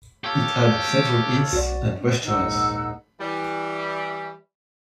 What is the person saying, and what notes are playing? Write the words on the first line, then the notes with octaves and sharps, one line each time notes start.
It had several inns and restaurants.
F4 G4 A4 C#5
B1 F#4 D5
A#1 D#2 G#2 D#4 F#5 E6
E3 G3